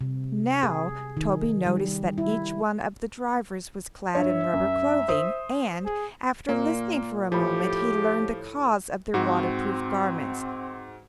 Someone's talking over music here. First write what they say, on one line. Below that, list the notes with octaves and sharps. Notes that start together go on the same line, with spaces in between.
Now, Toby noticed that each one of the drivers was clad in rubber clothing, and, after listening for a moment, he learned the cause of their water-proof garments.
C3
G#4
D#3
G3
E4
G2 C#5 E5
F#2
C5 D#6
G#4
A#2 A#3
A2 F3 G4 C#5 B5
G#2 C4 F#4